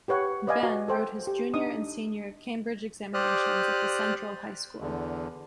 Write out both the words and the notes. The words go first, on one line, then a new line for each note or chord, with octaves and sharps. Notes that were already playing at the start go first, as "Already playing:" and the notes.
Benn wrote his Junior and Senior Cambridge Examinations at the Central High School.
G4 B4 C#5 F#5 G5
B4 D5 D#5 F5 G#5
F#4
A4 C5 G5
G4
D4 D#4 D#6
G4 C5 D5 D#6 F6 F#6
E2 D3